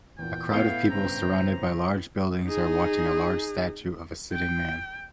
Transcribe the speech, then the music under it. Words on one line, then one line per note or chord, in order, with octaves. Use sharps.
A crowd of people surrounded by large buildings are watching a large statue of a sitting man.
E2 A#2 G5
A2 A3 B3 E4 F5 G#6 G7
G2 C#3 C5 A#5
D#4 G#4
G5